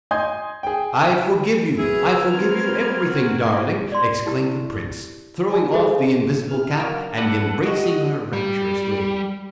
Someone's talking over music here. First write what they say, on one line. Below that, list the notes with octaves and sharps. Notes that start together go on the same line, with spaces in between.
"I forgive you, I forgive you everything, darling!" exclaimed the prince throwing off the invisible cap, and embracing her rapturously.
D#5 G#5 C6 D#6 G6 G#6
G#4 G5
F#3 B3 G#4 E5 F6 G#6
C4 A#4
F#4
D5 C6
E4 G4 A5
G#5 A5
F#4 G#4 A4 C5 D#5
E4 B4 F6
D3 D#3 F#3 A#3 F#4 A#4
E3 A3 B3 A4 B4 D5 F#5
F#3 F#4 G4 D#5
G3